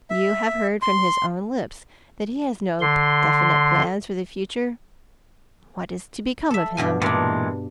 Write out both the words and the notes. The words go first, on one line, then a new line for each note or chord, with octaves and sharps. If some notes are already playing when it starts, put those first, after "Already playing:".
You have heard from his own lips that he has no definite plans for the future. What is to become of him?
E5
C6
D3 C6
A4 E5
G2 B2 G#5
G2 A#2 E3 G#3 D4